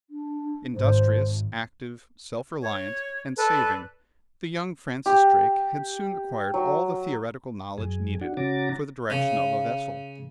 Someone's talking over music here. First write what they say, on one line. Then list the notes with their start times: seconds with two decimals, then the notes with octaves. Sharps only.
Industrious, active, self-reliant, and saving, the young Francis Drake had soon acquired all the theoretical knowledge needed for the direction of a vessel.
0.10 D4
0.75 G#1 C5
2.60 C#5
3.36 A4 B4 D5
5.06 G4
6.54 F#3
7.78 F#2 G#4
8.21 D4 F#4
8.37 C#3 C#4 F#4 A#5 D6 A6
9.10 C#3